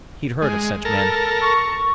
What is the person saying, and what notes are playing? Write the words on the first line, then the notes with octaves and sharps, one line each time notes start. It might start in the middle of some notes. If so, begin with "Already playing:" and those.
He'd heard of such men.
G#3
A4 A#4
C#6